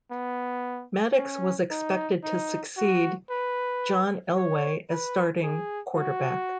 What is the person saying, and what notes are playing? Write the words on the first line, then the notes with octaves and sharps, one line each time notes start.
Maddox was expected to succeed John Elway as starting quarterback.
B3
C#4
D#4
D#4
F#4
B4
C#5
B4
G#4
F#4